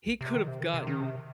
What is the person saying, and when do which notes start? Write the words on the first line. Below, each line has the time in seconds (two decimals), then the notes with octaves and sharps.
he could have gotten
0.21 C3
0.35 D#3
0.48 C3
0.60 D#3
0.74 C3
0.87 D#3
1.01 C3